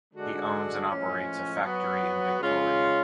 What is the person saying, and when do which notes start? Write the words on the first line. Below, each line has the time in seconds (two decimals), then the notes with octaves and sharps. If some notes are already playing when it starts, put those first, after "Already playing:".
He owns and operates a factory in Victoria.
0.14 D3 G#3 D4 F#4 A4
0.90 A2 F3 G#3 C#4
1.65 F#3 B3 F#4
2.40 C#3 G#3 C#4 F4